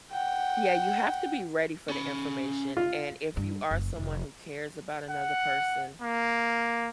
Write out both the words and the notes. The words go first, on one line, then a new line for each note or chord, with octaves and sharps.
Yeah, you have to be ready for the information, and if you are someone who cares about another person,
F#5 G5
C#4 B5
F4
G2
F#1
F1
F#5
A#3